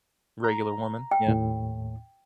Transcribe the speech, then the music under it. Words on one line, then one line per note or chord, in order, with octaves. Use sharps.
Regular woman, yeah.
A#5
G5
D#2 A2